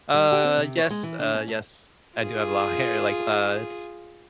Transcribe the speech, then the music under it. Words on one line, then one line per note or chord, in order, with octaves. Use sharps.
Uh, yes uh yes. I do have a lot of hair, like, uh, it's
G3
G4
C4
C3
C#5
G#3
E3
D3
C#4
A2
F4 G#4